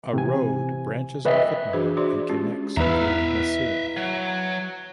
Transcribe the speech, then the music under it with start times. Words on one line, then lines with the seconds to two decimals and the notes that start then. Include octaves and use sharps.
A road branches off at Mau and connects to Nasirabad.
0.13 C3 E3 G#5
1.25 B4 D#5 E5
1.73 E3 D4 F#4 G#4 B4 C5
1.97 D4 F#4 G#4 C5 D5 C6
2.29 G#3 C#4 F4 G4
2.77 E2 B3 E4 B4 E5 F5 A#5 E6
3.97 F#3